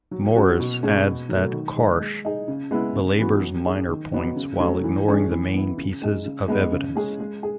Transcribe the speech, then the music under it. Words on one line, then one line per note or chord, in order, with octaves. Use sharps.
Morris adds that Karsh belabors minor points while ignoring the main pieces of evidence.
F#3
C#4 F#4
B2
G#3 C#4 G#4
B2
F#3 A3
D#3
G#3 D#4
G#3
D#4 G#4
C#3
G#3 B3 E4
C#3
E3 B3 F#4
F#3
C#4 G#4
D#3
F#3 B3 D#4
C#3
F#3 A3 C#4
E3
G#3 C#4 G#4
E3
B3 E4
C#3
G#3 D#4 G#4
C#3
G#3 B3 D#4 G#4
C#3
G#3 C#4 G#4
G#3
G#4